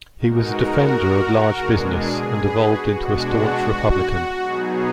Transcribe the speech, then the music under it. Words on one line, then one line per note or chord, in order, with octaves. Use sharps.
He was a defender of large business and evolved into a staunch Republican.
B2 G#3 D#4 F#4 A#4
B2 G#3 D4 G#4
G#4 B4
F#4
B2 G#3 D4 F#4
B2 F#3 B3 D#4 G#4